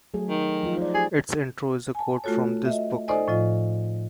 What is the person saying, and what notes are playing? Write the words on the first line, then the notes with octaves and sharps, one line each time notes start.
Its intro is a quote from this book.
F#3 A3 G#4
D#3
F3 D#4 F4
C5 D5
G4 G#4
G#5 A5
A3 F4 F#4 A4 C#5
D#5 E5
D#4 A4 C5 D5 D#5 G#5
A2 F3 F4 D#5